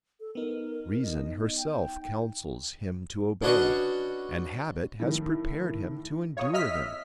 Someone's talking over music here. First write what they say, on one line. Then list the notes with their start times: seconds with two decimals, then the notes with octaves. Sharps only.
Reason herself counsels him to obey, and habit has prepared him to endure them.
0.20 A4
0.35 B3 D#4 A#4
1.02 D#5
1.58 G5
3.42 C#4 D4 F#4 B4 D#5 C#6
4.99 A2 D#3
6.37 C#5 F5 D#6
6.54 D#5 E5 E6 F6 B6